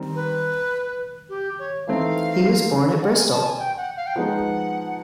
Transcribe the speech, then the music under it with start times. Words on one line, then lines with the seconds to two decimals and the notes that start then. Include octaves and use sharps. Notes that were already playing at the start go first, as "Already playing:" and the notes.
He was born at Bristol.
Already playing: D#3 G3 C4
0.15 B4
1.29 G4
1.59 C#5
1.86 E3 A3 C4 D#4 F5
3.01 F#5
3.15 G#5
3.30 A5
3.44 G#5
3.59 G5
3.77 F#5
3.97 F5
4.06 G5
4.15 F3 G#3 B3 D#4 F#5